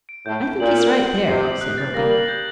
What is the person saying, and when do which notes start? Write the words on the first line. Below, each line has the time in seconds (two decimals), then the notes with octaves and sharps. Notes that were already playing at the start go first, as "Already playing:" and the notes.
"I think he's right there," said Roby.
0.09 D7
0.26 A2 G6
0.43 G6
0.60 A#2 F#7
0.77 F#7
0.93 F#7
1.11 F#7
1.27 C3 C7
1.44 D#6
1.61 F#6
1.78 A6
1.94 G3 A#3 A#6
2.11 F#7
2.28 G6